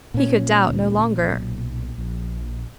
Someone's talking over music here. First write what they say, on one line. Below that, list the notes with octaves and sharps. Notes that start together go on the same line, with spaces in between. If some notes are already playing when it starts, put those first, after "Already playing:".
He could doubt no longer.
A#2 C#4
D2
B1
A#1